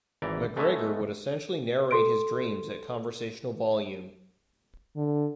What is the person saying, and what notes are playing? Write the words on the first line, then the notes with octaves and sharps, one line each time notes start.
McGregor would essentially narrate his dreams at conversational volume.
G#1 E3 D5 A#5
G#3 A3 B3 C#5 D#5 E5
A4 C6 D7
D3